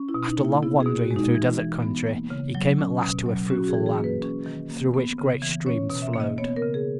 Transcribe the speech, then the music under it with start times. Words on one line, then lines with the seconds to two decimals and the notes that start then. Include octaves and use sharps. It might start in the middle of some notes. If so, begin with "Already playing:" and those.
After long wandering through desert country he came at last to a fruitful land, through which great streams flowed.
Already playing: C#4
0.09 E4
0.14 B2
0.26 D#4
0.39 A#3
0.45 E4
0.63 B3 E4
0.80 G#4
0.86 B2
0.98 F#4
1.11 G#3
1.16 D#4
1.35 E3
1.58 E3
1.82 B3
2.06 A#3
2.30 C#3
2.55 F#3
2.78 C#4
3.02 B2
3.26 F#3
3.50 C#4 F#4
3.64 F#4
3.68 G#4
3.74 E3
3.86 G#4
3.98 A#3
4.04 B4
4.22 C#4
4.46 D#3
4.70 A#3
4.94 B3
5.18 C#3
5.42 E3
5.66 C#4 C#5
5.90 B2
6.02 E5
6.14 A#3
6.20 D#5
6.38 B3 C#5
6.56 A#4
6.62 C#3
6.74 G#4